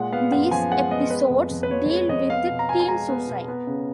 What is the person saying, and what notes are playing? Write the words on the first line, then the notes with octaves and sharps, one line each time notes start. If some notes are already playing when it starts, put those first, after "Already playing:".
These episodes deal with teen suicide.
Already playing: A#2 G#3 F#5
B3 F5
F#2 F#5
F3 G#5
G#3 F#5
B3 D#5
G#3 B4
F2
F2
B4
F3 C#5
G#3 C#5
F2 D#5
B3 F5
B2
A#5
B2 G#5
G#5
G#3 A#5
B3
B2
B3
C#3